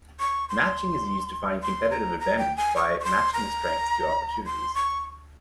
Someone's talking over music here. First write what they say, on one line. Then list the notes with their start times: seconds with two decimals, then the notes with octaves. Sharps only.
Matching is used to find competitive advantage by matching the strengths to opportunities.
0.20 C#6
0.49 C6
1.63 C6
1.91 A#5
2.20 A#5
2.38 G5
2.57 G#5
2.76 C#6
3.00 C#6
3.04 C6
3.34 A#5
4.46 C6
4.75 C#6